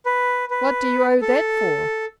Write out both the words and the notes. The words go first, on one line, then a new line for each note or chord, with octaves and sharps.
"What do you owe that for?"
B4
B4
A4